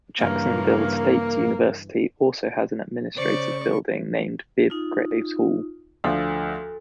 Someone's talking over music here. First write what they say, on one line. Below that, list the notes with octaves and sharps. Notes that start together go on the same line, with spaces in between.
Jacksonville State University also has an administrative building named Bibb Graves Hall.
G2 C#3 E3 A#3 A#4
C#3 C5 D5 C#6
D#4 F4
D2 F3 D4 A4